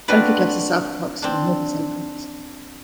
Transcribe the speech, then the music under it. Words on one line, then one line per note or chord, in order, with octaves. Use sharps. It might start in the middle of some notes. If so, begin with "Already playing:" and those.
Canford Cliffs is south of Parkstone and north of Sandbanks.
C4 D4 F4 F#4 B4 D5
C4 D4